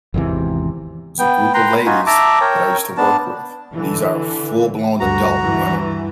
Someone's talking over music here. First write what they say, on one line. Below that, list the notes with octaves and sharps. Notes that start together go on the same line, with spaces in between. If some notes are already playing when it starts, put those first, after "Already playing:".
there's a group of ladies that I used to work with. These are full blown adult women.
G#1 E2 C3 E3
B3 G5
B4 G5 A#5 C6
D#4 F4 F#4 G#5
E5 A5 A#5 D6
A#4 C#5 G5
B3 D4 A5
D3 E3
D2 G2 B2 F#4 A#5
G2 E3